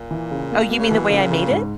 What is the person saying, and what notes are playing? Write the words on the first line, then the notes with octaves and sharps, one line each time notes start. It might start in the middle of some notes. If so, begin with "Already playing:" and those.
Oh, you mean the way I made it?
Already playing: A#2
E3
C#3
A#3
B2 A#3
C#3
B2 E3
A#2 C#3
C#3
G#2